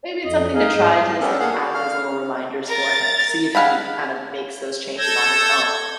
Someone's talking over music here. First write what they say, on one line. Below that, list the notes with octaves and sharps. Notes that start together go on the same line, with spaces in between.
maybe it's something to try to just add those little reminders for him to see if he kind of makes those changes on his own.
F2 D#5
D#4 G#4 D#5 F5
G#2 D#5
A5
B3 C#4 D4 G4 A4 A#4
A#3 G#4 F5 F#5
F#4
F5 F6
A#4 A6
G#4 F5 F#5 B5
A4 E6 G6 G#6 A#6